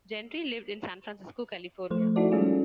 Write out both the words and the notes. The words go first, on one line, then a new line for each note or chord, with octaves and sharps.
Gentry lived in San Francisco, California.
F3 A3 C5
D#4 E4 F#4 A4 D5
G3 G#3 C#4 F4 G#4